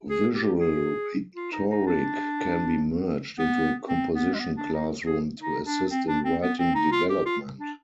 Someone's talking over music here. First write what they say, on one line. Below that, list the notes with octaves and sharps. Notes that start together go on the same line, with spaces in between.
Visual rhetoric can be merged into a composition classroom to assist in writing development.
G#4
G4
G#4
F4
D#4
D#4
D4
B3
C4
B3
G#3
B3
D4
D#4
G#4
D#4
D4
C4
D4
C4
B3
C4
D#4
F4
G4
F4
D4